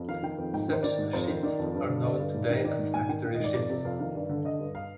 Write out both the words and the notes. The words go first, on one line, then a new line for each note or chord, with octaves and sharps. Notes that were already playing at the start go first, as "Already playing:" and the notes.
Such ships are known today as factory ships.
Already playing: F2
D#3 F5
D#3 G5
F2
G#2 G5
D#3 C5
D#3 D5
G#2
F2 C5
D#3
D#3 D5
F2
G2
D3
D3 D5
G2
G#2
D#3
D#3 D5
G#2
G#2 G#5
D#3 G5
D#3 F5
D#5
G#2 D5
F2 D5
C3
F2 F5
D#3 F5
G2 D5
D3
D3 D#5
G2
F5